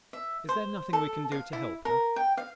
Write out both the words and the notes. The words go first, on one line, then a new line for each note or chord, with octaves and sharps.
"Is there nothing we can do to help her?"
E5
C5
A4
F5
E4
A#4
G5
F5